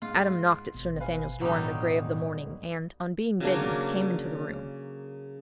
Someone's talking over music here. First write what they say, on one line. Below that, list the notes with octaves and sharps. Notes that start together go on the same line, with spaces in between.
Adam knocked at Sir Nathaniel's door in the grey of the morning, and, on being bidden, came into the room.
G#2 F4
G#1 B2
B4 F5 G#5
G1 E2 A2 F#3 G3 D#4
C#3 F#3 A#3 D4